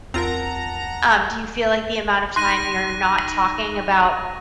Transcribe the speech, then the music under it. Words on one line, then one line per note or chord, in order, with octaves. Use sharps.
Um, do you feel like the amount of time you're not talking about
E2 C4 F4 A#4 F#5 A5 A#5
D#4 C6 F#6 A#6 D#7